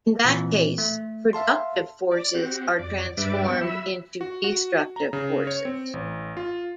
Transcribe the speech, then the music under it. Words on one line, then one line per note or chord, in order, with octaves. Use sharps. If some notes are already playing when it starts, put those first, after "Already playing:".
In that case, productive forces are transformed into destructive forces.
A#2 E3 C4
A3
E5 F5 A5 C6
D5
C4 F#4 G4
F2 D5
G2 G3 D4 B4 E5 D6
B3 G5 C#6
F#3 E5 B5 E6
F#4
F#4
A#5
C#3
C#5
C4
A1
F4